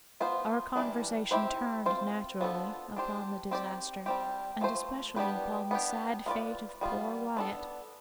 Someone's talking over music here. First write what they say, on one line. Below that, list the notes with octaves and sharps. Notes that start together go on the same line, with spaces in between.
Our conversation turned, naturally, upon the disaster, and especially upon the sad fate of poor Wyatt.
F3 B3 F4 C5
E3 G3 D4
C4 E4 G4 C5
C4 F4 C5
F3 B3 D4 A4
D4 G4 C5
C4 G4 D5
G3 C4 G4
F3 A3 C5
G3 B3 D4 G4 B4
B3 D4 G4
B3 F4 B4 D5
G3 B3 F4
B3 D4 A4